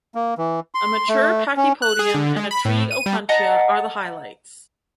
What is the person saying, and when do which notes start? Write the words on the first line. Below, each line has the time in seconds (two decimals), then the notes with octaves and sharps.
A mature Pachypodium and a tree Opuntia are the highlights.
0.15 A#3
0.38 E3
0.74 C6
1.08 A3
1.57 C#4
1.82 F#6
1.99 G#4
2.14 D3
2.36 G#3
2.51 B5
2.65 A2
2.91 D#7
3.06 G3
3.29 D#5 F#5 A5 A#5